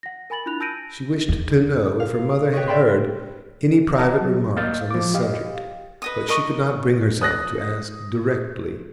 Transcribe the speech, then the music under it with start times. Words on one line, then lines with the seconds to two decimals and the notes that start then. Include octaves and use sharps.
She wished to know if her mother had heard any private remarks on this subject, but she could not bring herself to ask directly.
0.03 F#5 A#6
0.30 A#4 G#5 B5 A6 F#7
0.46 D4 E4 F4 B5 F#6 F7
0.60 A5 E6 G6 A#6 D7 D#7
1.28 E2
2.00 F5
2.53 G4 B4 C#5 D#5 C#6
2.67 D5 E5 G5 B5 C6
3.98 D#5 F#5 A5 A#5
4.21 F#3
4.56 A#3 D#5 F5 F6 G6 A6
4.91 F3 D6
5.14 G4 D#5 F5
6.02 B4 D#5 D#6
6.28 A#4 D#5 C#6 D#6
7.21 D#6 F#6 A#6